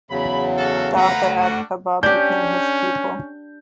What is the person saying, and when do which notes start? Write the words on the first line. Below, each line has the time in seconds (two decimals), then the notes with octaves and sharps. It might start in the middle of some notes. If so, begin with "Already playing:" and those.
The author Abe Kobo became his pupil.
0.11 E2 C#3 F#3 B5
0.57 A#3 F#4 A4
0.97 A3 B4 F5 F#5 A#5
1.40 G3 D4 F#4
2.03 C#4 D4 G4 G6